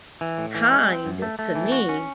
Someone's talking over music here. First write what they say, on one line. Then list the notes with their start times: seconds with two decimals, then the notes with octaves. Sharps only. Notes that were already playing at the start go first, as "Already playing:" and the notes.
kind to me,
0.21 E3
0.38 A2
0.55 E3
0.72 G#3
0.88 C4
1.05 F#2
1.22 A3
1.39 A3
1.55 E3
1.72 F#4
1.89 C#4